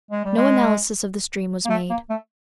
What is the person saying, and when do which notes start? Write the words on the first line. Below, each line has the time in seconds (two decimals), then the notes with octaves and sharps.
No analysis of this dream was made.
0.11 G#3
0.25 G3
0.37 G#3
1.65 A#3
1.70 A3
1.90 A#3
2.10 A3